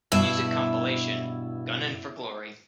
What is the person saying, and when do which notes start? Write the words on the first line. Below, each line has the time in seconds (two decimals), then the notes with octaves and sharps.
Music compilation "Gunnin' for Glory".
0.12 G2 B2 E4